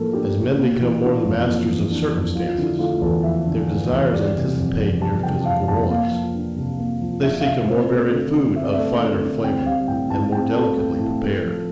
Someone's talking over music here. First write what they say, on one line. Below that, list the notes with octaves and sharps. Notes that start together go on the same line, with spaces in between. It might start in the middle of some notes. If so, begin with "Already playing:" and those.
As men become more the masters of circumstances, their desires anticipate mere physical wants; they seek a more varied food of finer flavor and more delicately prepared.
Already playing: A2 F3 A#3 D4 A4 A#4
D4 G4
A2
A#3
E3
D4 F4
F2 F4
A#3
E3
D4
F2
F3 F4
D3 E4
A3 F4
E2 A4
F3 E5
D3
A3
E2
G3 D5
C3
F2
F2
G3 A5
C3 G5
F2 F5
F2 A5
A#3 F5
F3
D4
C3
A#3
F3
D4 E5
F5
C3 E5
C4 C5
A3
D3
D3
C4 E5
D5
E5
A3
D3
D3
C4 G5
G3 F5
A2 G5
A2 A5
C4 G5
G3 A4
A2 A4
A2
A3
F3